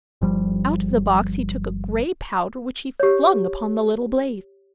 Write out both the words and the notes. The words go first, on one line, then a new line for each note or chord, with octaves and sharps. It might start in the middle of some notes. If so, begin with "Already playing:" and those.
Out of the box he took a gray powder, which he flung upon the little blaze.
G1 F3 G3
G4 C#5